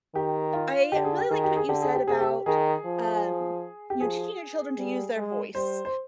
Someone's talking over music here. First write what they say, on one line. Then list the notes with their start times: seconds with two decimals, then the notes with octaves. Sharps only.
I really liked what you said about, um, you know, teaching your children to use their voice.
0.15 D#3 G4
0.53 F4
0.92 D3 G4
1.05 G#4
1.18 G4
1.31 D#3 G#4
1.44 G4
1.56 G#4
1.69 D3 G4
1.82 G#4
1.95 G4
2.07 C3 G#4
2.20 G4
2.46 D#3 G#4
2.85 F3
3.90 G4
4.00 F3 G#4
4.78 G3
5.16 G#3
5.55 G3 C5
5.85 C5